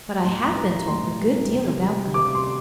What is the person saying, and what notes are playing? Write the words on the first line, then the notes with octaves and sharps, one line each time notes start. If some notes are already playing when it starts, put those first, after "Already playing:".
"But I have been told a good deal about them."
A#5
A2 C6
A#5
E3 G3
A#5
A2 C6
E3 G3
C3
G3
C3 D6
C6